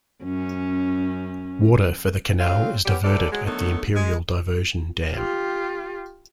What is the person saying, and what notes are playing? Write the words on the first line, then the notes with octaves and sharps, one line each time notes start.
Water for the canal is diverted at the Imperial Diversion Dam.
F#2 C#4
C#3 F#3 C4 F4 F5
B3 C#4 G4
E2 A2 A4 D5
F#3 G#3
D3 D#3 F#3 A3 B3
G#3
F4 G4